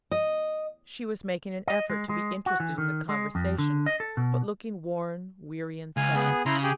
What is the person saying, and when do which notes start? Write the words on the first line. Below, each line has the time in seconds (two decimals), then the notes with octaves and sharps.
She was making an effort to be interested in the conversation, but looking worn, weary, and sad.
0.11 D#5
1.68 D#5
1.90 G#3
2.09 G#3
2.46 F#4
2.60 E3
2.78 D#3
3.09 G#3
3.35 F2
3.58 D3
3.86 D#5
4.00 A4
4.17 B2
5.97 C#2 F5 G#5
6.15 B3 G#4
6.46 C#3 E4 A#5 C6
6.63 G4 G#4